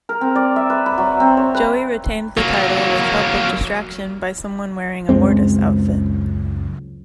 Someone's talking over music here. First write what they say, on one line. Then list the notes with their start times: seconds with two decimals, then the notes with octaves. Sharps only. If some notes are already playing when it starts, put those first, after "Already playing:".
Joey retained the title with help of distraction by someone wearing a Mortis outfit.
0.09 A#4
0.21 C4
0.35 D5
0.56 E5
0.70 B4
0.86 B5
0.98 F#3
1.20 C4
1.37 C#5
1.55 B4
2.37 F#3 A#3
5.09 C#2 F#2 G#3 C4